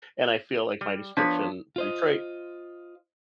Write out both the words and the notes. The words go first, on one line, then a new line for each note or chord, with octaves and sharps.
and I feel like my description Detroit
G3
F3 B3 D4 C#5
F4 C5 D#5